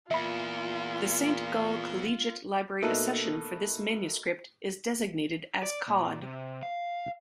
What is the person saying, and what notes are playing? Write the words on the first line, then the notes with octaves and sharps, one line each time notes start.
The Saint Gall Collegiate Library Accession for this manuscript is designated as Cod.
E2 A#2 F4 E5 B5
B2 A3 A#3 D#4 A4 B4
D5
A#2
C3
F5